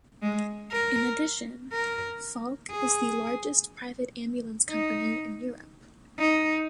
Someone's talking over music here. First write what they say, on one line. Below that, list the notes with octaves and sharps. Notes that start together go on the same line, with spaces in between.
In addition, Falck is the largest private ambulance company in Europe.
G#3
A#4
A#4
G#4
D#4
D#4